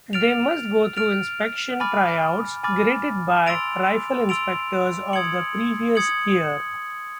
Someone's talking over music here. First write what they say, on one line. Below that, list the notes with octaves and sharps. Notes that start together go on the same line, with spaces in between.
They must go through inspection tryouts graded by rifle inspectors of the previous year.
F6 A6 D7 F7
F6 A6 D7 F7
G#5 B5 D6 F6 A6
G#5 B5 D6 F6 A6
C6 E6 A6 D7 F7
C6 E6 A6 D7 F7
D#6 G#6 C#7 F#7
D#6 G#6 C#7 F#7